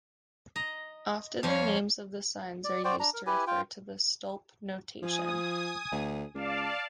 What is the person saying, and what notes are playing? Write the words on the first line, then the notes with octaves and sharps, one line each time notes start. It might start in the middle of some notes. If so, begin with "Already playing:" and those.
Often the names of the signs are used to refer to the stolp notation.
D#5 A#5
F2 F3 G3 C#5 F5
D5
F#4 C5 D5 G5
D4 A#5
A#4
E4 G4 B4 G#5
F4 G5
F3 G#5 D#6
D2
C#2 D5 F5 A5